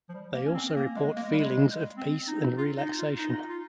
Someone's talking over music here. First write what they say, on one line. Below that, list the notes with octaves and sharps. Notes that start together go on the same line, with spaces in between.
They also report feelings of peace and relaxation.
F3
G3
A#3
C#4
C4
A#3
G#3
A#3
G#3
G3
G#3
C4
D#4
F4
D#4
F4
D#4
F4